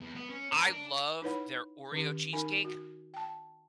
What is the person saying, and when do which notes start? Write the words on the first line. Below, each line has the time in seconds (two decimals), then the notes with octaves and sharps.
I love their Oreo cheesecake.
0.01 E2
0.15 B3
0.30 C#4
0.53 A#4
0.69 D4
1.22 D#4 E4 B4 C#5 F#5 B5
1.92 D#3 C#4 G4
2.33 D#4 A#4 G#5
2.65 F#4
3.14 G5 A5